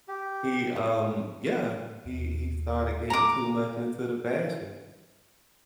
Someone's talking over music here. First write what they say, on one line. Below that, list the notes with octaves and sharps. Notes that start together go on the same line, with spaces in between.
he, um, yeah. He he started getting too much into the fashion,
G4
D#2
A#5 D6